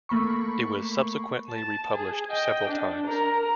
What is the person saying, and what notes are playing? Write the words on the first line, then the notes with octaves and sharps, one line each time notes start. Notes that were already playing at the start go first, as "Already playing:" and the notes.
It was subsequently republished several times.
A3 A#3 B5 C#6
A5
G#4
D#5 G5
D4
A#4 A#5